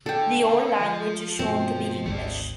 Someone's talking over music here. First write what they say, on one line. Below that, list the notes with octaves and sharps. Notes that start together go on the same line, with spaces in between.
The old language is shown to be English.
D3 A4 G5
F3
G2 B2 C4
G#1 D2 A3 D4